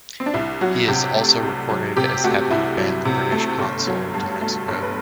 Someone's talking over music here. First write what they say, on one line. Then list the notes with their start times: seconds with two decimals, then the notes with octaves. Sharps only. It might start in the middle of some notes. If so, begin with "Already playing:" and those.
He is also recorded as having been the British consul to Mexico.
0.20 C4
0.26 D4
0.34 C2 E4
0.61 F#3 F#4
0.88 C3 G4
1.15 A3
1.43 C2
1.69 F#3
1.97 C3 G4
2.24 A3 F#4
2.51 C2 E4
2.78 F#3
3.05 C3
3.32 A3
3.59 G1
3.87 F#3
4.14 G2
4.41 A3
4.68 G1
4.82 B4